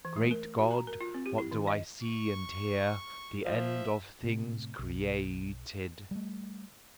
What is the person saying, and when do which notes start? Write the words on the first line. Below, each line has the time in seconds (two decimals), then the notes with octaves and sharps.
"Great God, what do I see and hear? The end of things created."
0.05 E3
0.16 A3
0.31 A#4
0.58 F#4
0.71 A#5
0.87 A#4
1.01 F4
1.14 C4
1.26 G4
1.38 E4
1.51 D#3
1.67 D#5
2.03 C#6
3.45 F3 E5
4.23 A2 C3
4.79 B1
6.11 G3 A3